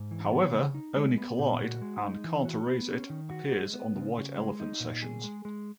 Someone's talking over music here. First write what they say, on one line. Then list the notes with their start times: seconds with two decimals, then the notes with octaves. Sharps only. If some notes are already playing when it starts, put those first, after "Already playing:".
However, only "Collide" and "Can't Erase It" appears on "The White Elephant Sessions".
Already playing: G#2
0.11 E3
0.32 B3
0.53 C#3
0.74 D#4
0.96 G#3
1.18 B3
1.39 A#2
1.60 F#4
1.81 G#3
2.03 D#4
2.24 E3
2.45 F#4
2.67 B3
2.89 C#4
3.10 D#3
3.31 F#4
3.52 G#3
3.74 B3
3.95 C#3
4.17 C#3
4.38 G#3
4.60 D#4
4.80 A#2
5.02 G#4
5.24 G#3
5.45 G#3